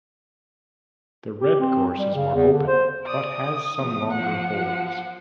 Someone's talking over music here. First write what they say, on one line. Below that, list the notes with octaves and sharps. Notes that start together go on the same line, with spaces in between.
The red course is more open, but has some longer holes.
G4
C4
G3
C#3
E2
D3
C5
D5 D#6
E2 F3
F3 F#5